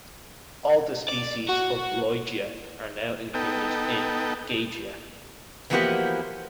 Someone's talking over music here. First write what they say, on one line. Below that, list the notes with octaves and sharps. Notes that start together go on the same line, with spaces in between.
All the species of "Lloydia" are now included in "Gagea".
D5
F#4
B3 D#4 A4 G5
E3 F3 A#3 B3 F#4 G4